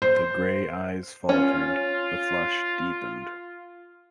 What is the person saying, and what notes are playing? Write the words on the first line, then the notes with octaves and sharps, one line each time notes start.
The gray eyes faltered; the flush deepened.
C5
C#4 F4